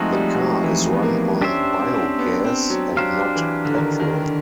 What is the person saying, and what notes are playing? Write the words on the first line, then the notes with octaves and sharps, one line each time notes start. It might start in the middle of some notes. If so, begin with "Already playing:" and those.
The car is run on biogas and not petrol.
Already playing: F3 G#3 A3 C4 D#4 F#4
G3
F#3
E3
B3
A#3
C#4 D4 G4 C5 E5
C4
C#4
C4
B3
C4
F#3
F#3 D4 G4 C5 F5
E3
D3
D#3
D#3
D3